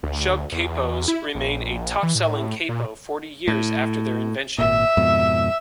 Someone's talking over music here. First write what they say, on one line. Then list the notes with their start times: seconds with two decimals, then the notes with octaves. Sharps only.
Shubb capos remain a "top-selling" capo forty years after their invention.
0.03 D2
0.52 E2
1.08 E4
1.35 A#1
2.03 E3
2.15 A2
2.69 A#2
3.48 A2
4.58 G#1 A#2 E5
4.97 F2 G#2 B2